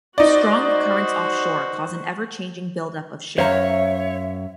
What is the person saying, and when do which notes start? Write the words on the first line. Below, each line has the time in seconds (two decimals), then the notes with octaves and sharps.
Strong currents offshore cause an ever-changing build-up of shingle.
0.18 D#4 F#4 C5 D5
3.38 F#2 C5 C#5 E5 F5 A#5